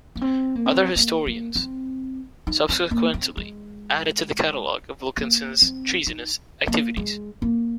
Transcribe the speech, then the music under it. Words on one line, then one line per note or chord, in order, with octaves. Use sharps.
Other historians subsequently added to the catalog of Wilkinson's treasonous activities.
A#3
C4
A#3
C4
A#3
A#3
C4
D#4
C4
A#3
C4
G#3
A#3
C4
D#4
A#3
G#3
A#3